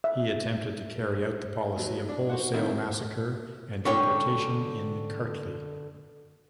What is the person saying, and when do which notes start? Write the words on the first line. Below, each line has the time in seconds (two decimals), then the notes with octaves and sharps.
He attempted to carry out the policy of wholesale massacre and deportation in Kartli.
0.04 E5
1.76 D#2 F#3
2.08 D4
2.29 F#4 C5 F#5
2.54 D#3 A#3 C4 E4
3.85 D3 C#4 C#5 G5 C#6